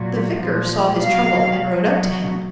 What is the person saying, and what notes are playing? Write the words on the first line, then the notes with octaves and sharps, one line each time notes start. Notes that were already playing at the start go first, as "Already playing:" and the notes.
The vicar saw his trouble, and rode up to him.
Already playing: A#2 F#3
A#2 F3
B2 F#3 F5
B2 F#3